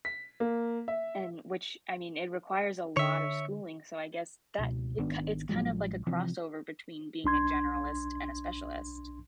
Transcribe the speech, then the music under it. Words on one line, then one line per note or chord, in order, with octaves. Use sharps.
And which, I mean, it requires a lot of schooling, so I guess that it ki it's kind of like a crossover between being a generalist and a specialist.
B6
A#3
E5
D3 C#5 E5
C#2 B2
G#1 D#3 B3 D4
A1 F3 F#3 G#3
C3 E3 F3 C4
B1 D4 C6 G#6